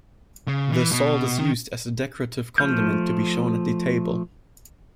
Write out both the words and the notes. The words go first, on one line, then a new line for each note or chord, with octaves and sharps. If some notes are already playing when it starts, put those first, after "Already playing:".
The salt is used as a decorative condiment to be shown at the table.
C#3
E3
B2
D#3
F3 A3 F6 G6